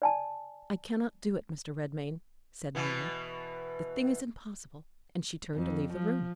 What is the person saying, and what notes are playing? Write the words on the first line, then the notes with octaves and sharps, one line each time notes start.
"I can not do it, Mr. Redmain," said Mary; "the thing is impossible." And she turned to leave the room.
D5 G#5 A5
B2 E3 B3
F2
F3